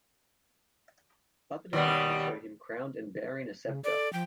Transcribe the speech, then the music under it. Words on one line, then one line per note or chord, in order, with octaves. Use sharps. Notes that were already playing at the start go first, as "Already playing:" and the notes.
Other depictions show him crowned and bearing a scepter.
D#2 B2 G3
C#3
A4 D5
F3 G5